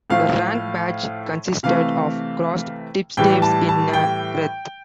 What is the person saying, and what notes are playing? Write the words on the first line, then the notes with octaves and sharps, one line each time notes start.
The rank badge consisted of crossed tipstaves in a wreath.
A2 F3 A3 F5
C3 E3 A3 F5
A2 E3 G3 G5
A5
A5
G5